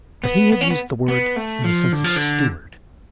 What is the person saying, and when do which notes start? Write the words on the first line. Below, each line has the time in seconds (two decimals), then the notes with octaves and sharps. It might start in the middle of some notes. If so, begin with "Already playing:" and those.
But he had used the word in the sense of Steward.
0.24 B3
0.52 B3
0.61 C#4
0.70 B3
1.08 B3
1.36 A3
1.64 F3
1.92 D3
2.04 F3
2.16 D3